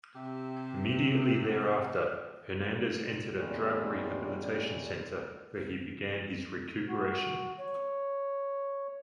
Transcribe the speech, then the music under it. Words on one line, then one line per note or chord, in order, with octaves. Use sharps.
Immediately thereafter, Hernandez entered a drug rehabilitation center where he began his recuperation.
C3 G4 E5
E2 A#2 G3 G#3 C#4
F#4
C#5